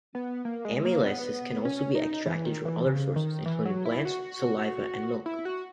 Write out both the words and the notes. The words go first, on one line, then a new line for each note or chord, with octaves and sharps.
Amylases can also be extracted from other sources including plants, saliva, and milk.
B3
A#3
G#3
A#3
B3
C#4
D#4
E3
D#3
E3
C#3
D#3
E3
F#3
E4
F#4
E4
F#4